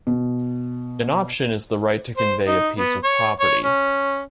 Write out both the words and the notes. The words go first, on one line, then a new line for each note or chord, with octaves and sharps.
An option is the right to convey a piece of property.
B2
C5
D#4
B3
C#5
C#5
C#4